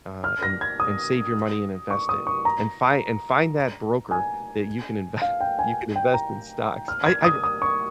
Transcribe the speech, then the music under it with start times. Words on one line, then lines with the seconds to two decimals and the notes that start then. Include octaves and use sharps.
uh, and and save your money and invest it, and fi and find that broker that you can inve you can invest in stocks." I I
0.24 F6
0.43 A#6
0.61 G#6
0.80 D#6
1.91 C#6
2.09 D#6
2.27 C#6
2.45 A#5
4.11 G#5
5.22 F5
5.41 G5
5.59 G#5
5.96 G5
6.14 A#5
6.88 F6
7.06 G#6
7.24 D#6
7.44 D#6
7.62 C#6